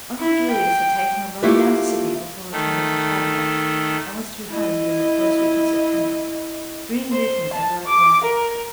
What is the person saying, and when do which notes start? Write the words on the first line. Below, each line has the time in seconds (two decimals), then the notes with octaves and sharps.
Uncle Julius had taken a run down to Sydney before returning to Caddagat, and was to be home during the first week in September, bringing with him Everard Grey.
0.19 E4
0.51 G5
1.43 A3 A#3 E4 F4 G4 B4
2.52 D#3 A3
4.49 E4 D#5
7.12 C5
7.54 A5
7.86 D6
8.21 A#4